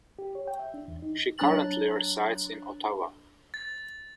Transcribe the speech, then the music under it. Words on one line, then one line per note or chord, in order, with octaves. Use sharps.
She currently resides in Ottawa.
G4
C#5
G5
E5
D4
E2
D#4
F#3 D4 A#5 F#6 A6 F#7
A6